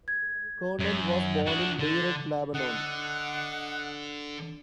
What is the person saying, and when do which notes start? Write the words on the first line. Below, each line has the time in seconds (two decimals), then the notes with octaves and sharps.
Conan was born in Beirut, Lebanon.
0.08 G#6
0.79 F#2
1.46 D4 F#4
1.79 D3
2.54 D3 D#5 F#5